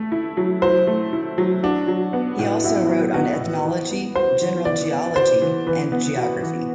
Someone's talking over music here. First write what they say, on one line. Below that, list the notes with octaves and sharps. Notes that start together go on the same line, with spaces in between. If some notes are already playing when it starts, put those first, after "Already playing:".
He also wrote on ethnology, general geology, and geography.
Already playing: A3
E4
F#3
F#3 C5
A3
E4
F#3
D4 F#4
F#3
B3
A2
E4 F#4
F#3
B3 F#4
A2
E3
B3
F#4 C5
E3
E3 D5
B3
F#4 C5
E3
E3 B4
B3
F#4
E3